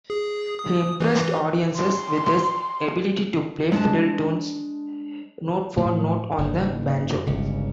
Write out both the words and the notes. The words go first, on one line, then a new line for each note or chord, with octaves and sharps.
He impressed audiences with his ability to play fiddle tunes note-for-note on the banjo.
G#4
D#6
E3
C6
G#3 D4 A5
A2 F3 F#3
F#1 G#2
G1 C#2 C#3